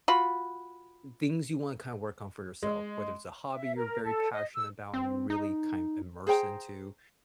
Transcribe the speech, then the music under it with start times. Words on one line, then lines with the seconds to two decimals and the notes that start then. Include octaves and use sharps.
things you wanna kinda work on for yourself, whether it's a hobby you're very passionate 'bout and you really kinda immerse into,
0.08 F4 F#4 B5
2.63 G#3
3.55 E5
3.76 A#4
4.02 A4
4.31 D#5
4.54 E6
4.94 C4
5.30 D#4
6.27 G#4 C5 G5 A#5